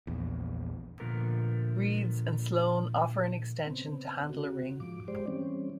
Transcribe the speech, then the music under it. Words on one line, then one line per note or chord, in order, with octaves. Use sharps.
Reeds and Sloane offer an extension to handle a ring.
A#1 E2
A#2 D3 F3 A3 B3 A#4
C#3 B3 C4
C#3 F#4
G#2 F3 D6
G#3 G4 C5 D5
E3 G3 C4 C#4